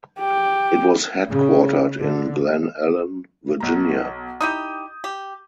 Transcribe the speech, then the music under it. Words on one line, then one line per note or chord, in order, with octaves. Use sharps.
It was headquartered in Glen Allen, Virginia.
G4
C#3
D3
B1 A#5
D#4 E4 G4 D#6 G6 D#7
G4